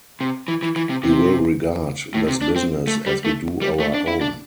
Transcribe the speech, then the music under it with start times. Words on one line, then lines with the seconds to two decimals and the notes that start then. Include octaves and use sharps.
We will regard this business as we do our own.
0.21 C3
0.48 E3
0.63 E3
0.76 E3
0.90 C3
1.03 C3
2.14 A2
2.28 C3
2.42 D4
2.56 C4
2.87 A3
3.06 G3
3.25 A3
3.62 G3
3.80 A3
3.94 D4
4.08 E4
4.21 D4